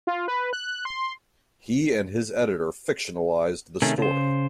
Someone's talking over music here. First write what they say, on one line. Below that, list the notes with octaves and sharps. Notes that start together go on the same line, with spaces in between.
He and his editor fictionalized the story.
F4
B4
F#6
C6
C3 D#3 A3 C#4 G#4
C#3 C5